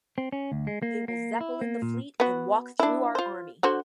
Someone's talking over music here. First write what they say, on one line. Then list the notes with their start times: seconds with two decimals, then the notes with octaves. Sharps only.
They will Zeppelin the fleet and walk through our army.
0.18 C4
0.32 C#4
0.52 D2
0.67 G#3
0.82 A#3
1.08 A#3
1.41 E4
1.61 A#3
1.82 A#2
2.20 B3 F#4
2.80 D4 E4
3.15 F4 C5
3.63 D3 F#4 C5